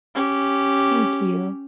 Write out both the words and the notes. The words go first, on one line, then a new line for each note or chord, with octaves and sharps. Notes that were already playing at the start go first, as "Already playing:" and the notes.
thank you.
C#4 G4